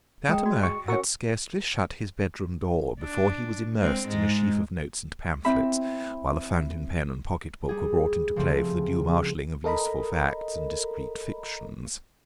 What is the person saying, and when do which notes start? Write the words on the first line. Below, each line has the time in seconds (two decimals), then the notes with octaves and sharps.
Latimer had scarcely shut his bedroom door before he was immersed in a sheaf of notes and pamphlets, while a fountain-pen and pocket-book were brought into play for the due marshalling of useful facts and discreet fictions.
0.29 G#3 G5 A#5 D#6
0.45 F#4 D5
0.63 C#6
0.88 C#4 F#4 A#4 C#6 E6
3.01 D4
3.78 G#3 C4
4.08 G#2 G#3
5.45 C4 E4 E5 B5
7.69 G3 G#4
8.36 C#3 F3 G3 A3 C4
9.64 A4 A#4 D#5 A#5 B5